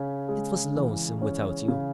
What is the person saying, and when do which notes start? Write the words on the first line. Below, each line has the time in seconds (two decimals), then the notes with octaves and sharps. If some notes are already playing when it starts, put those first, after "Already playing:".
It was lonesome without you.
Already playing: C#3 C#4
0.29 G#3
0.75 E3
1.22 C#4
1.68 C#3